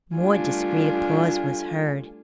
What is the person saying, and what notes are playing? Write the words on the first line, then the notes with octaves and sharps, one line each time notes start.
More discreet applause was heard.
G3 A3 D4 F4 G#5